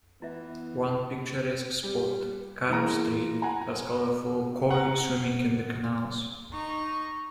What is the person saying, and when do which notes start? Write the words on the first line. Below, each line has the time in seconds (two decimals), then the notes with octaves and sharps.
One picturesque spot, "Carp Street", has colorful "koi" swimming in the canals.
0.22 E3 B3 E4 E5
1.83 G3
2.69 E3 G#3 A#3 A#5
3.42 F#5 G#5 A#5
4.71 F#5 A#5
6.52 D#4 C#6